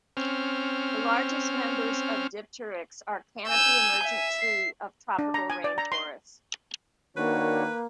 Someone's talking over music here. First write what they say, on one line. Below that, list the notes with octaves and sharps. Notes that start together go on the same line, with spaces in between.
The largest members of "Dipteryx" are canopy-emergent tree of tropical rainforests.
C4 C#4 F6
G#5 E6 G6
E5
C7
D4
A#5
G#5
D5
A#5
C6
D#3 A#3 D4 F#4 B4 C#5